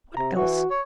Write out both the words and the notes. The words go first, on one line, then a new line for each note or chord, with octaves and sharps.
What else?
C3 A#5
E3 F#4
C#5